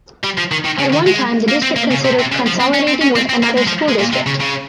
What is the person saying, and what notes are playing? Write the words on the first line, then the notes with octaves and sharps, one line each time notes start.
At one time the district considered consolidating with another school district.
G3
F3
D#3
D#3
C#3
D#3
G#3
A#3
C4
A#3
C#3
C3
C3
C#3
F3
C4
C#4
C4
C#4
C4
C4
A#3
G#3
F3
G#3
A#2
C3
C#3
C#3